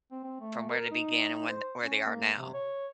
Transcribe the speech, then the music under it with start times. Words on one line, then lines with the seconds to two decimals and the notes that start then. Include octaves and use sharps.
from where they began and when where they are now.
0.12 C4
0.24 C4
0.41 A3
0.69 A#4
0.91 D#4
1.48 C5
1.82 C#4
2.06 A#3
2.38 C3
2.54 C#5